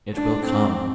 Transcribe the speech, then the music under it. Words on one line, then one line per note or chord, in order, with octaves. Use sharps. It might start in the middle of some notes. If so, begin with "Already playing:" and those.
It will come.
D4
C4